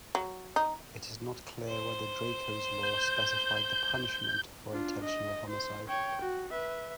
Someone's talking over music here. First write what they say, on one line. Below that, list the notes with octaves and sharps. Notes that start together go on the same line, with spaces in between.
It is not clear whether Draco's law specified the punishment for intentional homicide.
F#3
D#4
C5
G6
D4 F4
D#5
C5
C#5 G5
F#4
B4 E5